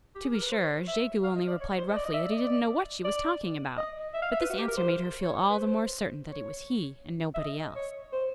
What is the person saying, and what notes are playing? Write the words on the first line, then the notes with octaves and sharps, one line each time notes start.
To be sure, Jegu only replied roughly that he didn't know what she was talking about, but this answer made her feel all the more certain that it was he and nobody else.
G4
G#4
A#4
B4
C5
C#5
E5
F5
D#5
D5
C#5
C5
D#5
D5
D#5
E5
D5
D#5
D5
D5
D#5
E5
F5
E5
B4
F#4
G4
A#4
C5
C#5
B4
C5
C#5
E5
D#5
C#5
C5